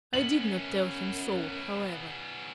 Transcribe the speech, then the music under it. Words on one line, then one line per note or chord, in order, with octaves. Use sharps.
I did not tell him so however.
F#2 B3 C#4 F#7